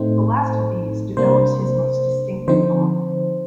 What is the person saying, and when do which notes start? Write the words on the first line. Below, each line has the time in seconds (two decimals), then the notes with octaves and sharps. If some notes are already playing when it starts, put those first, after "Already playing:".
The last of these develops his most distinctive thought.
Already playing: A2 A3 C4 D#4 C5
1.17 C3 G3 A#3 D4 C5
2.48 D3 F3 C4 D#4 C5